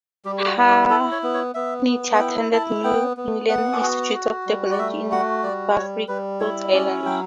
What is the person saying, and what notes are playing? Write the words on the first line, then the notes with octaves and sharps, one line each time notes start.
Hannity attended New England Institute of Technology at Warwick, Rhode Island.
G3 G4
G4
F#4
E4
G4
E4 A4
C#5
B3
C#5
B3 E5
B3
F#5
E4 G5
E4 A5
B3 G5
B3
B3 F#5
F#4
F#4
G3
D5
A3 E5
F#4 F#5
G3 D5
G3 C#5
G3 B4
E4 C#5
C#4 D5
F#3 G5